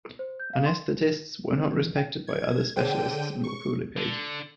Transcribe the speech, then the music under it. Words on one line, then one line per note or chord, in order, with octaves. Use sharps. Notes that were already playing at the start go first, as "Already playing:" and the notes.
Anaesthetists were not respected by other specialists and were poorly paid.
C5
G6
F5
C6
C4
E3
G5
G#6
D3 G#4 C5 C#5 G5 D#7
C#6
D3